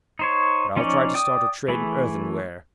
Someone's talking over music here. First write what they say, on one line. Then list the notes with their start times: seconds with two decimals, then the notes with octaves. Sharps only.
But I will try to start a trade in earthenware.
0.19 D#4 C5 C#5
0.77 F3 C#4 D#4 C#5 D5
1.14 D5 G5 D#6
1.68 E3 A3 G#4 B4